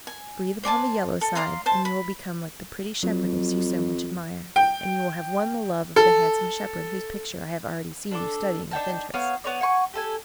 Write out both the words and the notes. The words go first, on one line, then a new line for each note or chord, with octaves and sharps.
Breathe upon the yellow side and you will become like the pretty shepherdess you so much admire, and you will have won the love of the handsome shepherd whose picture I have already seen you studying with interest.
G#5
C5 D5 G#5 A5
A4
D5 F5 A#5 C6
C5 A5
B5
F2 F#3
G5
A4
D4 A4 D6
D4 D#4 G5 A5
B3 C#5 F5
B3 C#5 D5
F#5 G#5 C#6
G4 A4 G#5